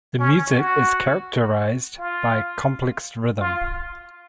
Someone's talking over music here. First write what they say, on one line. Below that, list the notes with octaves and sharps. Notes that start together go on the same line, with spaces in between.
The music is characterised by complex rhythm.
C#4
F#4
F4
F4